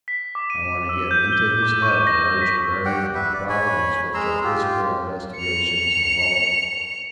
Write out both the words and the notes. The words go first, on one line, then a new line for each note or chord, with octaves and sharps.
I want to get into his head the larger bearing of the problems which our physical investigations involve.
B6
D6
D#7
E6
G6
G7
D6
C#6
A#6
B6
G4 F#5 G5
B4 E5
D5
C#5 G#5 B5
G#3 A#5 C6 E6
F4 G4
C#7 F7